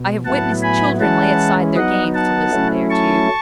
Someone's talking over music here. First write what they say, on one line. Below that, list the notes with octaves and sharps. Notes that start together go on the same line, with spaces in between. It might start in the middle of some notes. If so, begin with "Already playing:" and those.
I have witnessed children lay aside their games to listen thereto.
Already playing: B2
A2 F#3 B3 E4 F#5 A5
G#5 B5
E3 G#3 C#4 E4 F#5 A5
F#3 B3 D#4 D#5 F#5
F#5 A5
F#3 A3 C#4 E4
A5 C#6